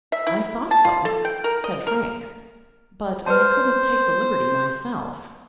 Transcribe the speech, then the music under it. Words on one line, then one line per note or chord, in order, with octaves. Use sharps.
"I thought so," said Frank; "but I couldn't take the liberty myself."
E5
E4
A5
F4
A4
G5
A#4
D#5
A#4
B4 C5 D5 A5